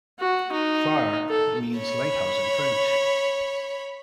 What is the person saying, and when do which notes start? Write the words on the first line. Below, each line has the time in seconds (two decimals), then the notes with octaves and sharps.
"Phare" means "lighthouse" in French.
0.19 F#4
0.52 D#4
1.29 A4
1.77 C#5 B5